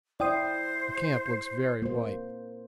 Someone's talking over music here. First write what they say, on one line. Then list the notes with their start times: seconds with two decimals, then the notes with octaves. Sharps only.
The camp looks very white.
0.20 E4 C5 D5 G5 D#6
1.82 A#3 C5